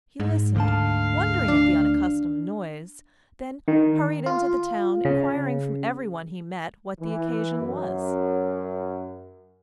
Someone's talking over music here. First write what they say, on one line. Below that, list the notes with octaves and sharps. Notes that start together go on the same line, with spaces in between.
He listened, wondering at the unaccustomed noise, then hurried into the town, inquiring from every one he met what the occasion was.
G#2
D2 D3 F5 A5
D4
D#3
F4
C#3
E3
F#2